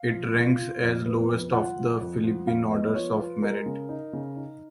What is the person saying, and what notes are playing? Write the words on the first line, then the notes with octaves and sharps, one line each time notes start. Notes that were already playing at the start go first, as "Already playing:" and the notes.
It ranks as lowest of the Philippine orders of merit.
Already playing: F5
F3
F4
F4
F2
B3
F2
F4 F#5
F3
F2
F3
F2 F5
B3 D#5
F3 C#5
F4 B4
G#3 A#4
C#3
D#4
C#3
D#4